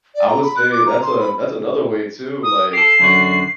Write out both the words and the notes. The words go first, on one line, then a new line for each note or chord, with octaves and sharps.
I would say that's a that's another way too, like
D5
A#5
B5
F#6
D6
A#5
C6
B5
D#6
G4 A4 C7
F#2 D3 F#4